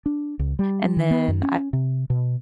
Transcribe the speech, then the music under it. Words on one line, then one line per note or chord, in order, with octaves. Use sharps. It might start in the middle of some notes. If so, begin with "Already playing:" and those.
and then I've
D4
C#2
G3
D#3
B3
F#2
C#4
C3
B2